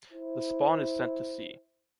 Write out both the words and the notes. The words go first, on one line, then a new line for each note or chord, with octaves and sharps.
The spawn is sent to sea.
E4 C5